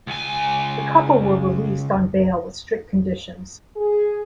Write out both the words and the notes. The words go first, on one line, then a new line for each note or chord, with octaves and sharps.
The couple were released on bail with strict conditions.
C#2 G#5
G#4